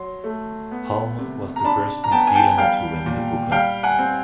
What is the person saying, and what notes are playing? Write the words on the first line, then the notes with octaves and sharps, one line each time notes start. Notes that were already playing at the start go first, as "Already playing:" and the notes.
Hulme was the first New Zealander to win the Booker.
Already playing: F#3 C6
A3
B3
C3
A#5
D4 A5 B5
A#5
B3 G5 A5
G#5
G5 A5
G3 F5 G5
A#2
G3 F5 G5
F#5 G#5
C4